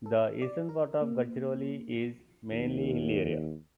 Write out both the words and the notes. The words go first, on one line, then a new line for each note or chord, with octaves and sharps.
The eastern part of Gadchiroli is mainly hilly area.
A4
D5
A#4
A#3
D#2